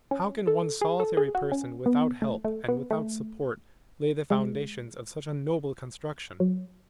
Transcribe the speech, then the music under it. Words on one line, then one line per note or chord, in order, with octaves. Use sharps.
How can one solitary person without help and without support lay the foundations of such a noble construction?
C#4
A4
G#4
A4
G#4
F#4
C#4
B3
A3
A3
B3
A3
G#3
F#3